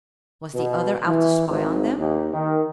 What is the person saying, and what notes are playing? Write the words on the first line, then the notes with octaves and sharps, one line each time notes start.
Was the other out to spy on them?
B2
E3
G#1
D#2
D#3